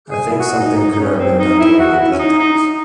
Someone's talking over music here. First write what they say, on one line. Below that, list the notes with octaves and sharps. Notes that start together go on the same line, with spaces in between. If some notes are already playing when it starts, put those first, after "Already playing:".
I think something could have been done to avoid these attacks.
G#4
E4
F#4
D#4
D#4
D#4
C#4
C4
D#4
E4
F#4
E4
C#4
D#4
D#4
D#4